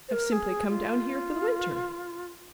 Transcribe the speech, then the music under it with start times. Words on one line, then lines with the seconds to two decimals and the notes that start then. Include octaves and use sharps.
I've simply come down here for the winter.
0.08 C5
0.12 A#4
0.32 G#4
0.68 F4